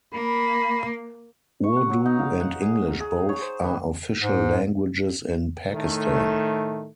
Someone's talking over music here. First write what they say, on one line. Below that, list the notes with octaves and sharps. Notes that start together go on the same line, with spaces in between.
Urdu and English both are official languages in Pakistan.
A#3 B5
C#6
F#5
F#3
D#4
F5
F#5
G#4
A#5
G#4
C#5
C5
B4
G#2
A2 D#3 A3